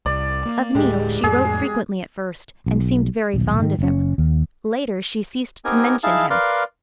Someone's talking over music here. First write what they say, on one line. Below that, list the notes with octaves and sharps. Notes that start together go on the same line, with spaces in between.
Of Neil, she wrote frequently at first, and seemed very fond of him. Later she ceased to mention him.
C2 D5
A#3
D1 A2 G#3 G4
F2 A2 G#4
B1
D#1 B1
G#2 D#3
F#1 C#4
D#2
B3 C4 D#4 G4 A#4 G#5
D#4 E4 G#4 F5 A5
A#4 B4 D5 F5 C6